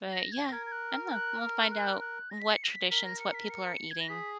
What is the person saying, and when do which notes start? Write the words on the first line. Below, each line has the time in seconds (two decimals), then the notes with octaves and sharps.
But yeah, I don't know, we'll find out what traditions, what people are eating,
0.12 A#6
0.32 G#6
0.45 A#6
0.52 A#4 G#6
0.66 G#6
0.72 F#6
0.92 F6
1.11 F#6
1.41 F6
1.72 F#6
2.01 F#6
2.31 A#6
2.40 B6
2.51 C#7
2.63 A#6
2.71 B6
2.90 A#4 B6
3.06 A#6
3.19 C#7
3.34 B6
3.50 C#7
3.91 G#6
4.01 A#6
4.09 G#4 B6